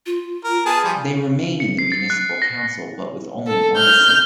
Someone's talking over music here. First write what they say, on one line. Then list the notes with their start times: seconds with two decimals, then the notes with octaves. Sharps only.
They remain in the municipal council but with only one seat.
0.06 F4
0.44 A#4
0.66 B3 G#4 G#5 A5
0.84 F3 G3
1.60 C#7
1.79 C7
1.92 A6
2.10 F#6
2.42 A#6
3.47 A4
3.76 F6 G6